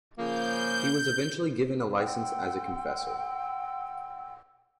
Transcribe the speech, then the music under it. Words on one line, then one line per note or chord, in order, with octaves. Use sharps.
He was eventually given a license as a confessor.
C#3 F3 A#3 G6
F#5 G5 C6 E6